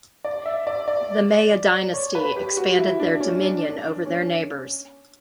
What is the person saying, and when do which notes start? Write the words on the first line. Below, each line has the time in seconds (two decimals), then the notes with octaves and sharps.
The Maya dynasty expanded their dominion over their neighbors.
0.25 D5
0.46 E5
0.67 D5
0.88 D5
1.94 C#5
2.15 B4
2.37 G4
2.57 F#4
2.79 E4
3.00 D4
3.21 C#4
3.42 D4
3.63 D4
4.06 C#4